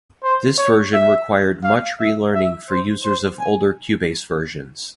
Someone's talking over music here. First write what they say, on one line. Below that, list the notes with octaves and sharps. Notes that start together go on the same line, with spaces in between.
This version required much relearning for users of older Cubase versions.
C5
C#5
E5
F5
E5
E5
C5
C5
G#5